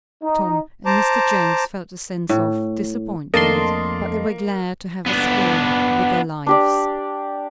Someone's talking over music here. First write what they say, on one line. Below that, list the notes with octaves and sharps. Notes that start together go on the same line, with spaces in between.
Tom and Mr. Jenks felt a sense of disappointment, but they were glad to have escaped with their lives.
D#4
C5 A5 A#5 D6
A2
F2 A3 A#3 D4 A4 D#5 A5 C6
B3 D4
D4 G4 D5